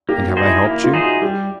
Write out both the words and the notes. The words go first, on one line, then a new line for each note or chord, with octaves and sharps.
"And have I helped you?"
A#3 G4
F#4
D#4 G#4 C5
E4
A#3 E4
F4
D#4 G#4 C5
F#4
G3 G4